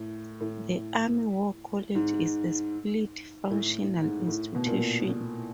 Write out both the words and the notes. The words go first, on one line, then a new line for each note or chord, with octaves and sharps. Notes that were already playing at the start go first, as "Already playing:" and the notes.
The Army War College is a split-functional institution.
Already playing: A2
A2
G#2
A2
G#2
A2
B2
A#2